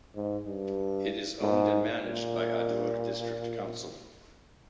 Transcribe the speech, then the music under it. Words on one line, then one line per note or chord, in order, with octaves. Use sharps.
It is owned and managed by Adur District Council.
G#2
G2
G#2
A#2